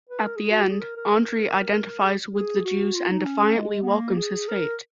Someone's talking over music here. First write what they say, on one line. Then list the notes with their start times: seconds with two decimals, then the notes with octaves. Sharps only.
At the end, Andri identifies with the Jews and defiantly welcomes his fate.
0.09 B4
0.23 A#4
0.36 G#4
0.50 F#4
0.70 G#4
0.81 A#4
0.97 A#4
1.11 A#4
1.42 A#4
2.03 G#4
2.35 G#4
2.65 F#4
2.95 F4
3.10 D#4
3.25 C#4
3.56 G#3
3.82 B3
3.87 A#3
4.17 G#4
4.48 A#4